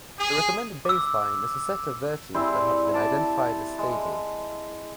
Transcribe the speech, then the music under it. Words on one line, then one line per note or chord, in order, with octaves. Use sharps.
A recommended baseline is a set of versions that have been identified as stable.
G#4
D6 E6
G3 C4 E4 G#4
A5 D6
G#3